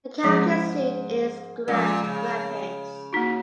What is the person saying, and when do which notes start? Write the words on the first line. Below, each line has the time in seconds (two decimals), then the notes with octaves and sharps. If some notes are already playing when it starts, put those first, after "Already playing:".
The county seat is Grand Rapids.
0.23 G#2 F3 G#3 C#4 G#4 C#5
1.68 A#2 F3 G#3 C#4
2.04 C#3
3.13 A#3 D#4 F#4